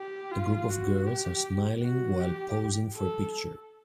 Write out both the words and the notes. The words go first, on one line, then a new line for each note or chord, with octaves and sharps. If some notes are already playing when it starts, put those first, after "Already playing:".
A group of girls are smiling while posing for a picture.
Already playing: G4
F4
F#4
G4
F#4
G4
A4